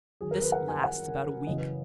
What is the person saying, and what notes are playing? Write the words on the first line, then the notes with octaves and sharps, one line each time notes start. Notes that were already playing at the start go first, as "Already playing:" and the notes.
This lasts about a week.
F#2 D#3 G#4
A#4
B4
F#5
G#5
F#5
F#2 C#3 E3 D#5
B4